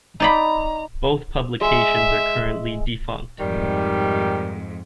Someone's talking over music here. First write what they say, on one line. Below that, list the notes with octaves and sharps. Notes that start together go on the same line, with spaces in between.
Both publications are currently defunct.
D#4 D5 A#5 B5
G#3 E5
F2 G#2 D#3 G3